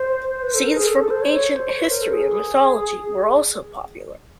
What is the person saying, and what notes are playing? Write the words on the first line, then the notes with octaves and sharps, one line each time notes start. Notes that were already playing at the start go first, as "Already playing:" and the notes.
Scenes from ancient history and mythology were also popular.
Already playing: C5
B4
A4
A#4
G#4
A4
A4
C5
C#5
C#5
C5
B4
A#4
A4
G#4